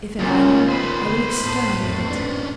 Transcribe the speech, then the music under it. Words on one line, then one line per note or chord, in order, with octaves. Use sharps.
If an army, I would exterminate it.
D#2 A#2 C#3 A#3 C#4 F4
D#3 B3 B4 C5
A2
G#1 F2
C#4 D4